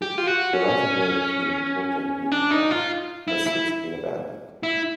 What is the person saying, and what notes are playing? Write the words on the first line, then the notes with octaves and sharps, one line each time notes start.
The right-of-way between Portland and Tigard has since been abandoned.
G4
F4
F#4
C#4
D4
D#4
F4
E4
E4
E4